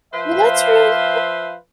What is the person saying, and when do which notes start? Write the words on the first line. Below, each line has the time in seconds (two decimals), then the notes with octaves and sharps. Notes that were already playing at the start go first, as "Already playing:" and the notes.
Well, that's really
0.14 F3 B4 C5 E5 F5